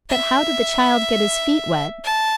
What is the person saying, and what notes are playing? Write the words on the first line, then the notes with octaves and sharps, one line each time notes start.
"But how did the child get his feet wet?"
E5
A5